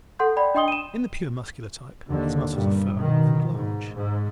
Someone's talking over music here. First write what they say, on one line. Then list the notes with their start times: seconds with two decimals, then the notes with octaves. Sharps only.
In the pure Muscular type his muscles are firm and large.
0.19 A4 F#5 C6 G6
0.37 D5 G5 B5
0.55 D4 D#5 G5 C6 D#6 G7
0.68 D#7 E7
2.08 D#2 D3
2.52 G2 A#2 G3
2.98 B2 D#3
3.54 G#2
3.95 G#2